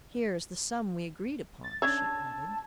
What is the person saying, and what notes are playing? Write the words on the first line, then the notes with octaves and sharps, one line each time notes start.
"Here is the sum we agreed upon," she added.
A6
C#4 D4 C#5 A5 E6 G#6